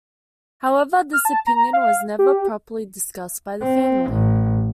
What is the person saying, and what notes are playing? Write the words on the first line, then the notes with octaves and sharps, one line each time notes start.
However, this option was never properly discussed by the family.
F6
A5
A#5
F5
G4
C4
A1